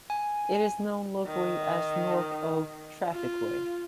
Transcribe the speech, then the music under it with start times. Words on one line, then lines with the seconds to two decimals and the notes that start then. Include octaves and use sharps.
It is known locally as North Oak Trafficway.
0.10 G#5
1.26 D#3
3.11 F4